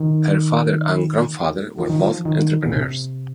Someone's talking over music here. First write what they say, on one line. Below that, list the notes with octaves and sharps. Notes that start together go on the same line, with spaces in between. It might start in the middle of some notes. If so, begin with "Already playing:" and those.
Her father and grandfather were both entrepreneurs.
Already playing: D#3
F3
D#3
F3
D#3
A#2
C3